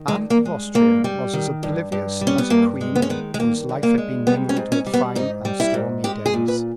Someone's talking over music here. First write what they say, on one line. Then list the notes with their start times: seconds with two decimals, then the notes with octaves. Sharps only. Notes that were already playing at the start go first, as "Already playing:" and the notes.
Anne of Austria was as oblivious as a queen whose life had been mingled with fine and stormy days.
Already playing: D#3
0.08 G#3
0.15 G2
0.30 A#3
0.45 G#3
0.74 G2 A#3
1.04 G3
1.33 D#3
1.63 G2
1.92 G2
2.21 G3
2.27 C#4
2.38 B3
2.50 G2 A#3
2.81 G#3
2.95 B3
3.02 C#4
3.10 D#3 B3
3.34 G#3
3.39 G2 A#3
3.69 G2
3.83 A#3
3.98 G#3
4.27 G3 B3
4.49 C#4
4.57 G#2
4.72 C#4
4.86 G3
4.94 B3
5.15 G#2 D#4
5.45 G3
5.60 E4
5.74 G#2
6.04 G#3 G4
6.26 G#4
6.34 A#2
6.48 B4